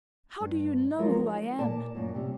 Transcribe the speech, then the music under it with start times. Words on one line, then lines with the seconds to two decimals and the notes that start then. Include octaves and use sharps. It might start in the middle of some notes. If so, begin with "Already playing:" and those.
How do you know who I am?
0.40 G2
0.99 F3 F#3 G#3 F4 A#4
1.19 D#4
1.59 A#2 D5 A5
1.95 F#2 A#2
2.14 C3 G3